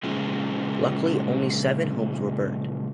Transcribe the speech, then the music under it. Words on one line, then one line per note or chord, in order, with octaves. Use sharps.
Luckily, only seven homes were burned.
A#2 C#3 F3 G#3